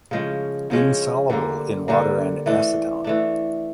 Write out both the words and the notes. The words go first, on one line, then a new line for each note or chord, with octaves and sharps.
Insoluble in water and acetone.
C#3 F3 G#3 C#4
C#3 F3 G#3 C#4
D3 G3 A#3
D3 G3 A#3
E3 A3 D4
E3 A3 D4